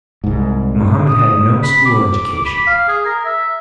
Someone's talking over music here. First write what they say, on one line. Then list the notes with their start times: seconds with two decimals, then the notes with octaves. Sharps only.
Mohammed had no school education.
0.24 C2 G#2
1.09 D#6
1.63 B5
1.85 D6
2.46 B5
2.67 F5
2.88 G#4
3.06 A#4
3.25 E5